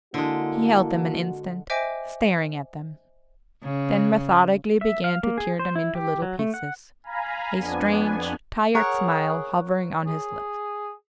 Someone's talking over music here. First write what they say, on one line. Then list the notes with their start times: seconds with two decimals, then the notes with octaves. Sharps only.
He held them an instant, staring at them, then methodically began to tear them into little pieces, a strange, tired smile hovering on his lips.
0.14 D3 G#3 A#3 E4 F#4 A5
1.70 C5 D#5 E5 G5 G#5 D6
3.63 C#3
4.81 E5
5.04 F5
5.23 A#3
5.38 G#4
5.59 C5
5.76 E4
5.95 G4
6.22 F#3
6.39 A3
6.54 F#5
7.04 F5 G#5 A#5 B5
7.57 F2 B3 D4 G#5
8.75 G#4 A#4 C#5 F#5
10.06 G#4